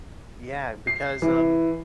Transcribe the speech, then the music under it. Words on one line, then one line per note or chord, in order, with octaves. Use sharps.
Yeah, because, um
C7
E3